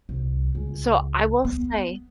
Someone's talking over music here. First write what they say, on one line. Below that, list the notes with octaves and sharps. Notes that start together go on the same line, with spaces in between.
So, I will say
C2
C#2
B3